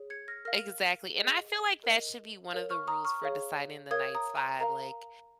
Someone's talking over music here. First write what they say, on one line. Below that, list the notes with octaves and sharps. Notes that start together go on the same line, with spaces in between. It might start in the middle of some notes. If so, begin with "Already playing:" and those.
Exactly, and I feel like that should be one of the rules for deciding the night's vibe, like,
Already playing: G#4 C#5
G#6 C#7
F6 A#6
A#4 F5 F6 A#6
G#4 D#5
A#4 D#5
A#4 C#5 F5
C#6 F6
A#5 D#6
C#6 F6
G#4 C#5 F5
A#4 C#5 F5 D#6 G#6
A#5 D#6
A#5
A#4 F5 A#5